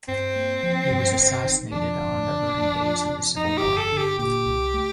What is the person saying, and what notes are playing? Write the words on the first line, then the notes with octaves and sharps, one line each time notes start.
He was assassinated on the early days of the Civil War.
G2 C4
A#3
F3
G2
G1
D#3
F2 D4
G1
D3
F2
F3
C3
F2 D#4
G4
G1
A4
D3
G4
A#2 G4
C2
A3